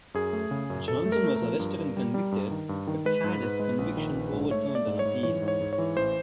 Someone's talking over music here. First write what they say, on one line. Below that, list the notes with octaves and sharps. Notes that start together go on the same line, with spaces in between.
Johnson was arrested and convicted, but had his conviction overturned on appeal.
F#2 G#4
A3
C#3
F#2
F#2 A4
A3
A#4
A3
A#4
F3
G2
G2
G3
G3
G2
D#3
G2
D#3
G#3 B4
G#2
G#2
G#3
A#1
D#3
A#1
G#2
A3 C#5
A3
D5
G#2
C#5
G#2
E3 C#5
G#2
C#5
G#2
C#5
E3
A1 C5